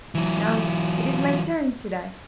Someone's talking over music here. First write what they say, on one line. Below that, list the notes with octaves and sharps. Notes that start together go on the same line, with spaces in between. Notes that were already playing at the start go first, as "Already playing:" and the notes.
'Now it is my turn to die.
E3 F#3